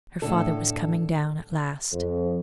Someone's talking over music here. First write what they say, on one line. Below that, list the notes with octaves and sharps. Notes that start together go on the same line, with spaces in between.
Her father was coming down at last.
A2 D3 A4
F2